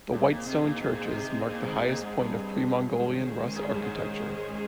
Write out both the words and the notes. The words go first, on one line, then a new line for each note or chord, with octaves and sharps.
The white-stone churches mark the highest point of pre-Mongolian Rus' architecture.
G2 C4 D#4 G#4
A#2
C3
A#2
C3
A#2
C3
A#2
G2
G#2
A#2
G#2
G2
D#3 G#3 C#4 G#4 C5
G#2
G2
G#2